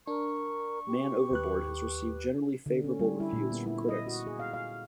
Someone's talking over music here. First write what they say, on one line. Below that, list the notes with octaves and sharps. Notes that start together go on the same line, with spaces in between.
"Man Overboard" has received generally favorable reviews from critics.
D4 A#4 C#6
G4
D#2 B4 F#6
D3
C#4
G3
E4
A#2
B3
E4
D#5
F#4
G#4
F5
F5